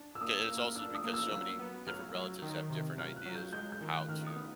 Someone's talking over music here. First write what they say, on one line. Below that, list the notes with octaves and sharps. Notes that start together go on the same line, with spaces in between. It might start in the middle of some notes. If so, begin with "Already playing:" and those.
and it's also because so many different relatives have different ideas of how to
Already playing: D4
E6
A#3 D#6
E6
A#3
F6
D4 E6
D#6
A#3
E6
F#3 E6
B3
F#3 F6
F#3
D#3
C3
F#3 F6
F#6
F#3
G6
G#3 G6
G6
D#3
F#6
D#3 F6
D#6
B3